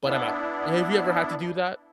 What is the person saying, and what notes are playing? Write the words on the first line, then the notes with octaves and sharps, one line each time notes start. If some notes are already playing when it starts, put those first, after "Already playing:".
but I'm out." Have you ever had to do that?
B3 D4 E4